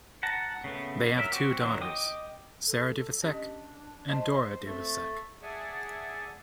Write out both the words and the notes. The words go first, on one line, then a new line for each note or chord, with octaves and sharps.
They have two daughters; Sara Duvisac, and Dora Duvisac.
F#5 A5 A#5
C#3 A3 B3
F#3 A#4 E5
C4 F#4 G4
D#3 E3 F#3 C4
D#5 G5 D6 D#6
A4
C#4 D4 G4 D#5
C5 D#5 A5
A3 C4
G#4 D5 E5 F#5 G#5 A5